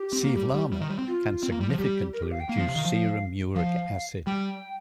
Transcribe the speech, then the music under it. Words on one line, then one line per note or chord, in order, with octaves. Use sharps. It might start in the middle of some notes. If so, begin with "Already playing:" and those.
Sevelamer can significantly reduce serum uric acid.
Already playing: G4
C4
A#3
G3
G3
G3
D#3
G3
C4
F4
C4
A#3
G3
F3
G3 G4
A#4
G4
F5
G5
A#3 F5
F3
C3
D#3
F3
F3 F5
G3 G5